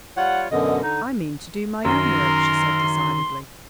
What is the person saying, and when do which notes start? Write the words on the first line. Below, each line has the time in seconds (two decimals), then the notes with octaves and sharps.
"I mean to do my own work," she said decidedly.
0.17 G3 F4 C#5 F#5
0.52 F#2 B2 D3 D#5
0.83 D3 D#4
1.85 F#2 D#3 A#4 C6